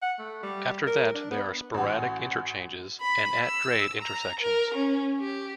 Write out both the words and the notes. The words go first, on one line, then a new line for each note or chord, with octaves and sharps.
After that, there are sporadic interchanges and at-grade intersections.
F#5
A3
G3
A#4
D4
B3
A1 F#4
B5
E6
A#5
A#4
C#4
G4